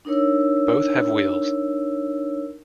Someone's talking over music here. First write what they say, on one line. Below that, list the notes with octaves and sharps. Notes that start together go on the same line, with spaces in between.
Both have wheels.
D4 D#4 A#4 C#5 E6